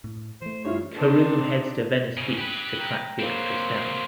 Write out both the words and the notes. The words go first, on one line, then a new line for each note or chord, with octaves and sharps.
Karoo heads to Venice Beach to track the actress down.
A2
E3 A3 C5
G2 E4 F4 C#5
C4 D4 D#4
G#2 C#3
G4 B4
G5 A#5
F#3 A#3 C4 C5 B5